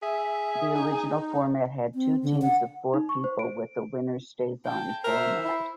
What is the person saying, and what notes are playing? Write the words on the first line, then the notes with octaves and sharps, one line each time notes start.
The original format had two teams of four people with a winner-stays-on format.
G#4 E5
D#4
C4
D3
F#5
D#4
C#6
C5
D7
G5 A5
A#4 C5 E5
E4